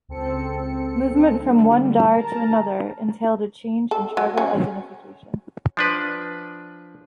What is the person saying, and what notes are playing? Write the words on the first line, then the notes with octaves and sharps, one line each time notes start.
Movement from one dar to another entailed a change in tribal identification.
C#2 C4 A4 C#7
D3 G3
A#4 A5 A#5
A4
F#3
C#4
F3 D4 B4